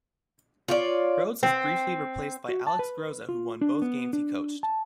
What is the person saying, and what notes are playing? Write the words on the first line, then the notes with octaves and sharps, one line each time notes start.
Rhodes was briefly replaced by Alex Groza, who won both games he coached.
F4 C#5 D5
C4
F#4
A5
B4
F4
D4
B3
D4
A5